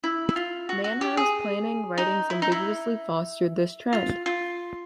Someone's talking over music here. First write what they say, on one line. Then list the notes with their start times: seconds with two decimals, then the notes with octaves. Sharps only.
Mannheim's "planning" writings ambiguously fostered this trend.
0.04 E4
0.29 E4
0.36 F4
0.69 F#4
0.84 F#4
1.01 G4
1.17 G#4
1.98 D#4
2.30 E4
2.42 D#4
2.52 E4
3.93 F4
4.26 F4